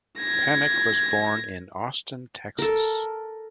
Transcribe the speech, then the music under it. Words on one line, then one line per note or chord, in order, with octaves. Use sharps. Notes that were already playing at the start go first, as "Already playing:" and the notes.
Penick was born in Austin, Texas.
G#6 A#6
A4 A#4